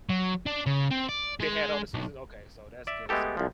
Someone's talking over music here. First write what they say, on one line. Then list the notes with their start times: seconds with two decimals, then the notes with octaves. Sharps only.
They had all the seasons? Okay, so that's good, so
0.09 F#3
0.46 D4
0.66 C#3
0.91 C4
1.09 D5
1.40 G#3
1.94 B1
2.87 D5 E5
3.09 G#3 A3 B3 G4 A4
3.37 C2 F3